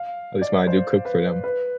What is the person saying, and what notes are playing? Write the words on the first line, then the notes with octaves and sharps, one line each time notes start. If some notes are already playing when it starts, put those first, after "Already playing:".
at least when I do cook for them.
Already playing: F5
D5
C5
B4
B4